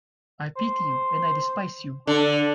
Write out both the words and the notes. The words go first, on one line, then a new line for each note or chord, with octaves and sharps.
I pity you, and I despise you!
C5
D3 D4